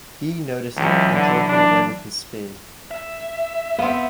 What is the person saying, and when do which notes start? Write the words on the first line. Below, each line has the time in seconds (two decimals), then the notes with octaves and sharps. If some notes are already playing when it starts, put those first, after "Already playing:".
B noticed it and drove him away with his spade.
0.76 C#2 E3 F#3 E4
1.12 D3
1.48 D4
2.91 E5
3.79 B3 C4 F5